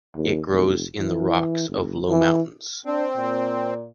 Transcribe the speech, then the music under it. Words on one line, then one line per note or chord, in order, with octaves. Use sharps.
It grows in the rocks of low mountains.
D#2
F1
E3
F#1
E3
C4 D4
A#2